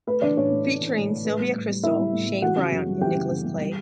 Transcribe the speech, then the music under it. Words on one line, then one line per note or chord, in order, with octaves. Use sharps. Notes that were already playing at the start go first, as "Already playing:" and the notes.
Featuring Sylvia Kristel, Shane Briant and Nicholas Clay.
A3 B4
E3 D4 D5
A2 C#4 C#5
A2
A3
E3
A2
A2
A2 B4
G3
A2
G3
A2 E4 E5
G3
A2
G3
E3 F#4 F#5
C#3
F#2
G3
E3 G4 G5
C#3
F#2
G3
G3